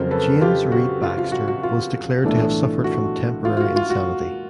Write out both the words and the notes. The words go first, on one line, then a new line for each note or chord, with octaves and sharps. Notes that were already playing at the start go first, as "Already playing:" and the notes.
James Reid Baxter was declared to have suffered from temporary insanity.
Already playing: F2 C#3 F#3 A#4 C5
A4 B4
F4 G4
F#4
F4
F4
F#4
F#4
F4
B1 A2 E3 A3 D4
F#4
F4
F4
F#4
F4
F#4